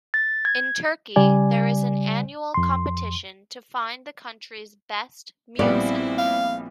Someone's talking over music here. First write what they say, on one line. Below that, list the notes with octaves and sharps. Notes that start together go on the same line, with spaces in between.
In Turkey, there is an annual competition to find the country's best muezzin.
A6
G#6
C#3 G3 D5 G#5
F2 C6
A#1 G3 B3 C4 E4 D5
F5